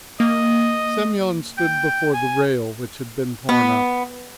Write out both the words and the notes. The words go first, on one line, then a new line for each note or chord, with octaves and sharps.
Semyon stood before the rail which had been torn up.
A#3 D#5
G5
G#5
B3